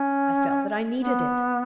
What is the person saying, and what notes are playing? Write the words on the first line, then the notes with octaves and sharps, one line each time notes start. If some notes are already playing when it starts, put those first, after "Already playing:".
I felt that I needed it.'
Already playing: C#4
B3